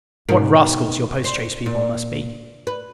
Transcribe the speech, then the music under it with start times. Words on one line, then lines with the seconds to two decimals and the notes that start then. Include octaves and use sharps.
What rascals your post-chaise people must be!
0.29 G#2 B2 A#4
1.24 C5
1.66 A#2
2.67 B4